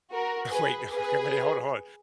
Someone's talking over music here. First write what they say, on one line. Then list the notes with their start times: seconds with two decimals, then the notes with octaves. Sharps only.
Wait. Okay, wait, hold on hold on,
0.11 F#4 A#4
0.52 G#4 B4
0.92 G#4 B4